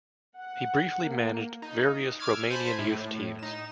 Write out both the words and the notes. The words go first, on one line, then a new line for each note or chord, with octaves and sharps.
He briefly managed various Romanian youth teams.
F#5
A#3
D#4
D6 E6 F6 G#6
C5 G#5 A5 B5
A2
D#4 E7